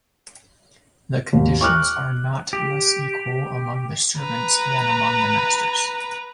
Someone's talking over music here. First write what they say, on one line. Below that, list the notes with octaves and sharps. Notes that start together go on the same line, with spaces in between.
The conditions are not less equal among the servants than among the masters.
G#1 D#2
C#6 D6 F6 F#6
G4
B4 A#5